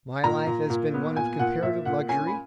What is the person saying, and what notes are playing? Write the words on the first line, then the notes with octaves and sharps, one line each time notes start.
My life has been one of comparative luxury.
A#2 A#5
A#2
A#2
B3
A#2 G#5
A#2 F#5
A#2 E5
A#2 F#5
C#4 G#5
B5